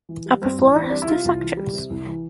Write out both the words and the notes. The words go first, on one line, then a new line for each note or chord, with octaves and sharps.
Upper floor has two sections.
E3
G3
G2 C4
A1
E3 D4
C4
G3 D4
E4
C3 F4
C2
E3
G3
C3
C2
E3